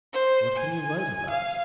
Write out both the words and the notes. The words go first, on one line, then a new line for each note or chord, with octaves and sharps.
What can you write about?
C5
G#5
F5